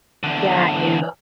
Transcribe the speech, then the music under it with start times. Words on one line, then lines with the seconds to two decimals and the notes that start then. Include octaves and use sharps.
Got you.
0.23 E2 D3